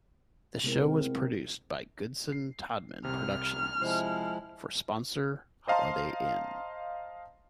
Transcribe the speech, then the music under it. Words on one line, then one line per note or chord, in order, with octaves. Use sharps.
The show was produced by Goodson-Todman Productions for sponsor Holiday Inn.
C3 G#3 B3 C4 E4 A#4
C7
C2 C3 F6
C3 F3 G#3 E4 C5
C5 D#5 F5 A5 A#5 C6